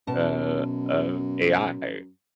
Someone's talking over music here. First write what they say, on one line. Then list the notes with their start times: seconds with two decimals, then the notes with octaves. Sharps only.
uh, of AI.
0.07 F#2 B2 A5